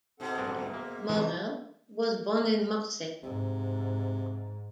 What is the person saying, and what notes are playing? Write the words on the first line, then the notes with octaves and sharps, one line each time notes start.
Maurel was born in Marseille.
G#2 B2 C4 A4 F#5
A#1 G2 D4
D2 G2
A#3 E5
F2 C3 D#3 E3
G#2 C3